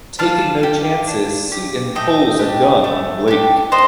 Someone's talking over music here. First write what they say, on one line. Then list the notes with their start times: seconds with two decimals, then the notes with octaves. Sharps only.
Taking no chances, Seton pulls a gun on Blake.
0.19 D4 F5 A5
0.63 G4
1.07 D4
1.52 G4
1.95 A3 D#5 G5
2.39 D4 G4
2.84 A3
3.28 D4 G4
3.72 D4 C5 D#5